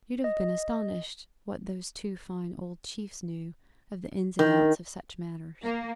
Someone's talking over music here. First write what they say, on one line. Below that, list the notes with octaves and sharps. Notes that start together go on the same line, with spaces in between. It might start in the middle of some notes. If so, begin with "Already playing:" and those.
You'd have been astonished what those two fine old chiefs knew of the ins and outs of such matters.
D#5
D#3
A#3